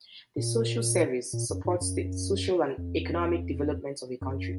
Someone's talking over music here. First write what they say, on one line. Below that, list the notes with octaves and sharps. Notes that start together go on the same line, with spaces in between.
The Social Service supports the social and economic development of a country.
A#2
A#2
F#2
G#2
F#2
F2
F#2